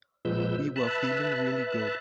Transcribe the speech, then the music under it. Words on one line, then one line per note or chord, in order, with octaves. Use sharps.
We were feeling really good.
A#2 F3 G#3 B4 E6 G6
B4 E5 A5 F#6